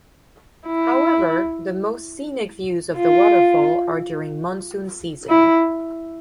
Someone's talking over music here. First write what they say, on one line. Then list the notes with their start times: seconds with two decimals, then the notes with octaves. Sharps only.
However, the most scenic views of the waterfall are during monsoon season.
0.67 E4
2.97 F4
5.29 E4